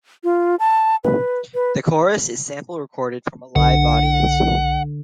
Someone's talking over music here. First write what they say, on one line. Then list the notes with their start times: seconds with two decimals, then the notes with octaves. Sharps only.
The chorus is sample recorded from a live audience.
0.24 F4
0.59 A5
1.04 B4
1.54 B4
3.56 B1 D3 F#5